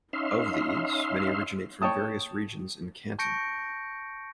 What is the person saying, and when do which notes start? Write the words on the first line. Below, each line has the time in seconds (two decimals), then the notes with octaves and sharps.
Of these, many originate from various regions in Canton.
0.13 C#4 D#4 E5 F5 C6
1.82 C#5 G5 A5 D#6
3.19 A5 C#6 G6 A#6 C#7 D7